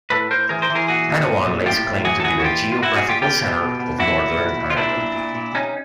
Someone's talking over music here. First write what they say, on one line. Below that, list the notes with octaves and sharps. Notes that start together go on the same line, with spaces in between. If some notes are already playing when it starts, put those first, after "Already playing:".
Annaghone lays claim to be the geographical centre of Northern Ireland.
A2 A4 B4
A2 A#4 C5
E3 G#4 A#4
A#4 C5
E3
G#4 A#4
A#2 F#4 G#4
A#2
A#2
A#2
A2 F4 G4
A2
E3 F#4 G#4
A4
E3 F#4 G#4
F#4
A#2 F4 G4
A#2
F4
A#2 E4 F#4
F#4 G#4
A#2
F4 G4
B2 F4 G4
B2
B2
B2
A#2 E4 F#4
A#2
A#2
A#2
F4
A#2 D4 E4
A#2
A#2
A#2
C3 C#4 D#4